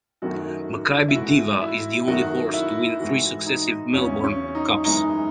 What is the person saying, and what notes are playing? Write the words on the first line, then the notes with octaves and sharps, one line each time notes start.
Makybe Diva is the only horse to win three successive Melbourne Cups.
F#2 D#3 F#3 A3 F#4
E4
G#2 E3 A3 F#4
E4
F#2 D#3 A3 F#4
E4
G#2 E3 A3 F#4
D#4
E2 C#3 F#3 C#4
C#4
D#4
F#2 E3 G#3 D#4